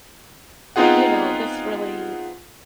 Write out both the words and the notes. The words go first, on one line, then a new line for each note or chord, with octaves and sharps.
you know, "this really"
B3 C4 D#4 F4 G#4 F#5